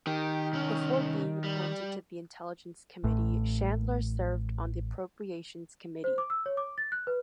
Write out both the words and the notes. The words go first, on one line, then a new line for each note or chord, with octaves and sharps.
Before being appointed to the Intelligence Committee, Chandler served on the Appropriations Committee.
D#3 G4
C2 C#4
G3
A1 A2
C5
D6
E6
C#5
D6
A6
F#6
B4